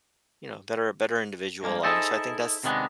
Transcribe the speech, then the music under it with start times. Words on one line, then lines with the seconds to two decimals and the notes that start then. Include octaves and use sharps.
you know, better better individual, um, so I think that's
1.63 G2 G#3 A#3
1.83 D#4 E4 G#4 A4 C5 D#5
2.63 C3 D#3 G3 G#3 B3 D4